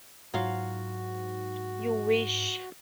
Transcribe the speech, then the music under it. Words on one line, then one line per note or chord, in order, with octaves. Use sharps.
You wish!
G#2 F#3 F4 F#4 F5